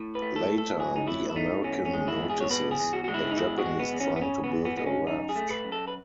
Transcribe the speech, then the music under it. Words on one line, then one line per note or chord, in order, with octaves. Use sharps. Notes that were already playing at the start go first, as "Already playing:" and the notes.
Later, the American notices the Japanese trying to build a raft.
Already playing: A2
B4
A3
A4
A2
A4
F#3 G#4
D#4
A2 E4
E4
A3 D#4
E2 C#4
C#4
G#3
E4
E2
G#4
C#5
B2 B4
G#4
E2
F#4
G#3 F#4
E4
D#4
E2 E4
F#4
G#3
B3
E2
C#4
B3
C#3 C#4
B3
E2
B3
G#3 B3
C#4
F#2 D#4
G#4
A3
B4
F#2
A4
B4